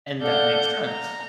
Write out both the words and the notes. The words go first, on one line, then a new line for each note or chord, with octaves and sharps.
and that makes sense.
A4 D5 F5 F#5 G6
A#5